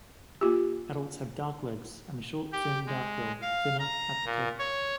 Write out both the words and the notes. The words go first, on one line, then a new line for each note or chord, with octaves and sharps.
Adults have dark legs and a short, thin, dark bill, thinner at the tip.
A#3 F4 G4
G4
G#3
F5
A#5
A#2
C#5